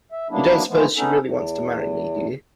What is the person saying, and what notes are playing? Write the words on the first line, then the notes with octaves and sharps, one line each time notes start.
You don't suppose she really wants to marry me, do you?
E5
F#3 A#3 B3 D4 E4
E3 F3 G#3 A3 B3
B3 C#4 D#4 A4
E2